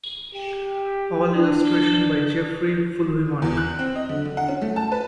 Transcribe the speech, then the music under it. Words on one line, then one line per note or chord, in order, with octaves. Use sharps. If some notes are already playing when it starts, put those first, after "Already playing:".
All illustration by Jeffrey Fulvimari.
G4
D4
E2
F#6
C4
D#5
D3
D3
F#5
C#4
A3
A5
B4